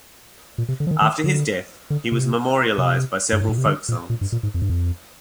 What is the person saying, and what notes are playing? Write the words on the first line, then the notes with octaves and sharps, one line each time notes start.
After his death, he was memorialized by several folk songs.
A#2
C3
D3
F3
D#3
D#3
D3
D3
C3
C3
G2
G#2
A#2
C3
D3
A#2
A#2
G2
A#2
G#2
F2
G2
F2